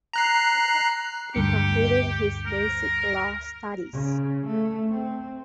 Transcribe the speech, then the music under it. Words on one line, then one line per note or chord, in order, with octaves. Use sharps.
He completed his basic law studies.
A#5 F#6 C7
D2 G2 G4 C#7
A#4
C#3
A3
C4